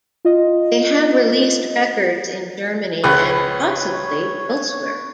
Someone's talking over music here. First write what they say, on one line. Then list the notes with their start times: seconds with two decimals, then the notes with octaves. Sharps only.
They have released records in Germany and possibly elsewhere.
0.25 F4 D#5
3.04 C#2 B4 C#5